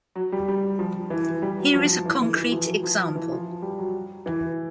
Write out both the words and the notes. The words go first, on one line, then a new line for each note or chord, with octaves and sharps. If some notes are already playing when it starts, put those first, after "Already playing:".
Here is a concrete example.
F#3
G3
G3
F3
E3
G3
F#3
F3
E3
E3
E3
F3
F#3
F3
E3
F3
G3
F#3
E3